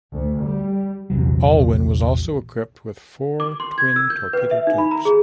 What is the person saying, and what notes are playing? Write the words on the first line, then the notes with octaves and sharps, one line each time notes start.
"Aylwin" was also equipped with four twin torpedo tubes.
D2
G3
A#1 E2 C3 F#3
D6
C6
G#6
E6
G6
B4
E5
D#4
B5
A#5
G#4